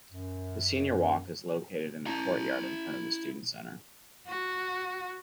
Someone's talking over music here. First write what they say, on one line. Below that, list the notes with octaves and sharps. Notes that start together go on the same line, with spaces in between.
The Senior Walk is located in the courtyard in front of the Student Center.
F#2
E4 A#5
F#4